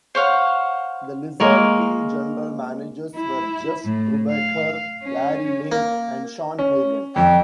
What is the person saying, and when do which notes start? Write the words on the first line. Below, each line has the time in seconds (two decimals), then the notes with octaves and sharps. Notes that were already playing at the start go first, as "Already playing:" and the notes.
The Lizard King General managers were Jeff Brubaker, Larry Lane, and Shawn Hegan.
0.15 C5 C#5 F5 F#5
1.40 G#3 A#3 A#4 C#5
3.16 E4
3.85 A2
4.30 F5
5.03 C#4
5.72 A#3
6.59 C#4
7.16 F2 G5